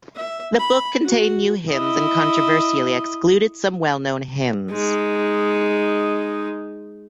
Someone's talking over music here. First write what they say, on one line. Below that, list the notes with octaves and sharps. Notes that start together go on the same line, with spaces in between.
The book contained new hymns and controversially excluded some well known hymns.
E5
B5
F#4
E4 D#5
G#3 D#4